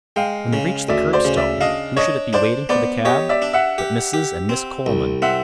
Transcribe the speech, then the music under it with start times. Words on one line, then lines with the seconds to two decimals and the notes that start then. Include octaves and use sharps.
When they reached the curbstone--who should it be waiting for the cab but Mrs. and Miss Coleman!
0.16 G#3 F5 G5
0.53 C#3
0.89 D2 D5 E5
1.13 C5 D5
1.25 C#3
1.37 D5 E5
1.60 D4 D#5 F5
1.97 D4 C#5 D#5
2.33 D4 C5 D5
2.69 B3 C5 D5
3.05 G4 C#5 D#5
3.29 D5 E5
3.42 D4
3.53 E5 F#5
3.78 G4
4.13 G4
4.49 C4
4.86 C2
5.22 C4 E5 F#5